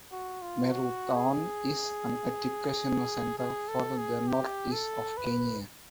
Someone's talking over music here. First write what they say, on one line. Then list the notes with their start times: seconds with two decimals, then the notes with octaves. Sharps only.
Meru town is an educational center for the northeast of Kenya.
0.12 F#4
0.42 F4
0.71 F#4
1.15 G#4
3.38 G#4
3.68 A4
3.98 G#4
4.28 G4
4.73 A4
5.17 B4